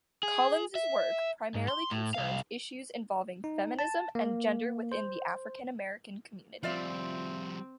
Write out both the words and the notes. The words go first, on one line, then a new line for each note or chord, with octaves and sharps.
Collins's work primarily concerns issues involving feminism and gender within the African-American community.
G#4
E5
G#2
C6
A2
C2 F5
D#4
A5
A#3
C5
F3 G3 C4 F4 D5 E5